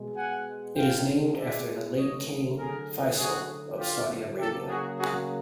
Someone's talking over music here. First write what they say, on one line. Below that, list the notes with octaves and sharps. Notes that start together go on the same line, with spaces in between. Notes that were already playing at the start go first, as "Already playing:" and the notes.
It is named after the late King Faisal of Saudi Arabia.
Already playing: B2 G#3
F#5 G#5
F5 G5
D5 E5
D3 F#3 A3 C#5 D#5
G#4 A#4
F#4 G#4
F4 G4
C#3 F#3 A#3 G4 A4
F#4 G#4
F#4 G#4